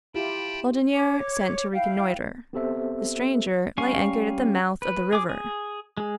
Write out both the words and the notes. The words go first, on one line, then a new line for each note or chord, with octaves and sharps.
Laudonniere sent to reconnoitre. The stranger lay anchored at the mouth of the river.
E4 F4 G4 G5 A5 B5
C#5 D6
E4 F5 G5
B3 C4 G4 A4 C5 E5
G3 C#4 F5 G#5 C#6
B4
G#4 D6
G#4
G#3 G#4